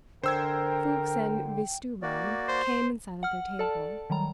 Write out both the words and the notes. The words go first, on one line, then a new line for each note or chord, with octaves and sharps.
Fuchs and Wistuba came and sat at their table.
D3 A#4 C5 G5 E6 G#6
A#3 F#4 D5
C5
F#5 F6
A4 D5 A5
D#3 F#3 G3 A#5